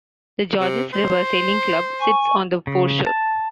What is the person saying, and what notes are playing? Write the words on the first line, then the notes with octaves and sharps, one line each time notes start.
The Georges River Sailing Club sits on the foreshore.
C3
C5
G#5 C#6
C#3
A5